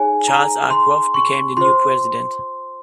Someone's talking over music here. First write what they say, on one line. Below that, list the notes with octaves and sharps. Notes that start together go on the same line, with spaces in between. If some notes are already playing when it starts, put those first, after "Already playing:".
Charles R. Croft became the new president.
Already playing: D#4 G#4 C#5 G#5
A#5
C6
C#6
F4 C5 C6